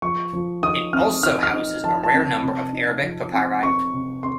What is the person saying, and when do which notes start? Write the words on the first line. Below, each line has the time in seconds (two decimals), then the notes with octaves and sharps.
It also houses a rare number of Arabic papyri.
0.02 F3 C#6
0.33 F3
0.62 D#4 D#6
0.93 C4 F6
1.23 D#4 F6
1.43 F6
1.53 D#4
1.84 F3 A5
2.03 A5
2.14 C4
2.43 C3
2.73 D#4
3.03 F3
3.33 C4
3.63 C4 C#6
3.94 C3
4.23 C4 C6